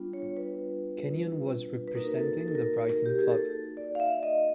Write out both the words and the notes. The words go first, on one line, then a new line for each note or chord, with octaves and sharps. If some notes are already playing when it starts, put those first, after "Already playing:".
Kennion was representing the Brighton club.
Already playing: G3 B3 D4 F4
C#5
B4
B4
A#3 D#4 F#4 A#4
A4
A#4
A4
A#4
G4
G#4
A4
D5
F5
E5
D#5